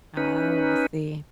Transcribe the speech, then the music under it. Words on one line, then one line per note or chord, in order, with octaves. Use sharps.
Oh, I see.
C#4 D#4 B4